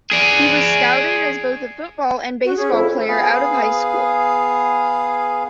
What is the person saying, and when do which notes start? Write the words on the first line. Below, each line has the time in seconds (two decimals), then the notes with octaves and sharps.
He was scouted as both a football and baseball player out of high school.
0.12 G#4 D5
2.43 F#4
2.56 C#4 G#4
2.72 F2 E4
3.08 B3 G#4 F5